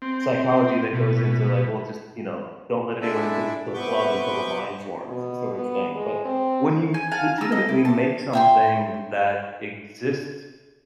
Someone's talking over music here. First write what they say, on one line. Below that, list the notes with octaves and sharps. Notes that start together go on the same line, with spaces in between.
psychology that goes into, like, well just, you know, "Don't let anyone into into the club until a line forms" sort of thing. But when you legitimately make something that exists
C4
B2
G#3 D4 E4 A4 D5 E5
C3 B3 B4 C#6 D6 G6
B2
B3
G#3
C4
G#5
F5 F#5 G#5 A5
A#5 E6
A4 D#5
E4
A5
E5 G5 C6